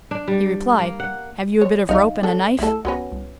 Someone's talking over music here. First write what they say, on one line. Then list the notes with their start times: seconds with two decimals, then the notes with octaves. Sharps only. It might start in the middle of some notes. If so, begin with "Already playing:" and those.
He replied, "Have you a bit of rope and a knife?"
0.11 D4
0.28 G3
0.79 A#3
1.00 F#5
1.61 C#5
1.89 B1 F#3 D#4 E5 F5
2.23 D4 A4
2.59 B1 A3 E4 A4
2.85 C#2 F#3 B3 C#4 B5 A#6
3.12 C2